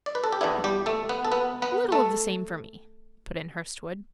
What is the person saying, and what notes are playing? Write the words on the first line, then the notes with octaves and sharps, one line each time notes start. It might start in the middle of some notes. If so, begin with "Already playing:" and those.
"A little of the same for me," put in Hurstwood.
D5
B4
A4
G4
E2 E3 B3 D4 E4
G3 G4
A3 A4
B3 B4
A4
B3 B4
B3 B4
A3 A4